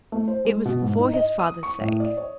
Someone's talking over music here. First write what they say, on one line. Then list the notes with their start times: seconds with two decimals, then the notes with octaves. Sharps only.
It was for his father's sake.
0.12 A3
0.28 C5
0.45 G#3
0.65 B2
0.82 G#2
0.99 D#4
1.13 D#5
1.39 D#6
1.63 C#6
1.81 A2
2.00 D5
2.17 C#5